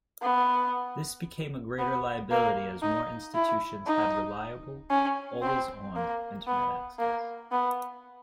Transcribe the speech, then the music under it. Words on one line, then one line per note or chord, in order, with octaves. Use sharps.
This became a greater liability as more institutions had reliable, "always-on" Internet access.
B3
B3
A#3
D#4
E4
D#4
C#4
C4
A#3
B3
A#3
B3